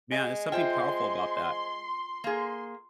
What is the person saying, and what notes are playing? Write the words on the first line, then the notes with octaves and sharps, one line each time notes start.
man, there's something powerful about that.
G#3
F4 C5 E5 G5 C6
A#3 G#4